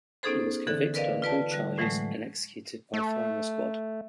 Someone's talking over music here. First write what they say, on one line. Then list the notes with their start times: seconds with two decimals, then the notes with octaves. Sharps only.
He was convicted on all charges and executed by firing squad.
0.23 B3 C#4 D#4 G#4 A4 C5
0.67 D3 E3 A4
0.94 A#4 B4 D5 D#5 F5
1.22 F4 B4 D5 A5
1.52 D3 G3
1.78 A2 E3 F#3 G#3 A3
2.94 A3